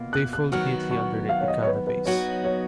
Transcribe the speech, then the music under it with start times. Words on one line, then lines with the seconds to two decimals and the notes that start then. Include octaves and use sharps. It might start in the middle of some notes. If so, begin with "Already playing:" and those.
They fold neatly underneath the carapace.
Already playing: B2 A#3 F4
0.13 F#6
0.33 F#6
0.52 D#3 F#3 B3 F#4 F6
0.91 C#6
1.29 F5
1.41 C#5
1.48 D#5
1.63 C#5
1.67 B4
1.87 B4
2.06 F#3 B3 D#4 F#4 C#5
2.44 C#5